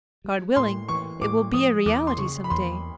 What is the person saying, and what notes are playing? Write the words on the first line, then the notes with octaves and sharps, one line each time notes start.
God willing, it will be a reality some day.
G3
A2 C6
E3 C#6
A2 D6
F3 D#6
E2 D6
C6
C#3 C#6
B5
E2 C6